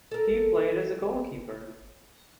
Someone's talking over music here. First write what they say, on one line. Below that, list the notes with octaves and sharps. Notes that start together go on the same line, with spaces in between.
He played as a goalkeeper.
A4 A#4